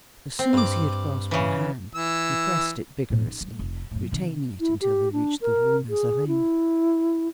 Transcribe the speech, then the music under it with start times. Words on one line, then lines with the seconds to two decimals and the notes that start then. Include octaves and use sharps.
As soon as he had grasped her hand, he pressed it vigorously, retaining it until they reached the Rue Mazarine.
0.39 C4
0.53 G2 D6
1.31 C#3 E3
1.95 E3 E6
3.10 A2
3.27 C#3 D#4
3.41 G3
3.59 F1
3.91 F#2 A2
4.11 C3 D#3
4.60 E4
4.81 G4
5.13 D4
5.42 A#4
5.89 G#4
6.27 E4